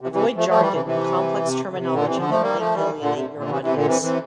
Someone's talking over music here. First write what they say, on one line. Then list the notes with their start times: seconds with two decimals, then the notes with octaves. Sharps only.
Avoid jargon and complex terminology that might alienate your audience.
0.01 C3
0.12 C3 E3
0.36 F3 A3
0.48 F3 A3
0.60 E3 G3
0.73 C3 E3
0.85 C3 E3
1.44 C3
1.72 D3
1.77 C3
1.93 A#2 D3
2.05 C3 E3
2.17 D3 F3
2.29 F3 A3
2.41 G3 A#3
2.57 F3 A3
2.73 E3 G3
3.01 A#2 D3
3.13 C3
3.37 A#2 D3
3.50 C3 E3
3.62 C3 E3
3.74 A#2 D3
3.85 C3 E3
4.01 C3 E3